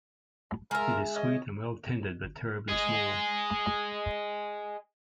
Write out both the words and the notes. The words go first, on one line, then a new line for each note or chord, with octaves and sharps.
It is sweet and well tendered but terribly small.
G#3 F4 A#4 E5
C#4 D#5
G#4 D#5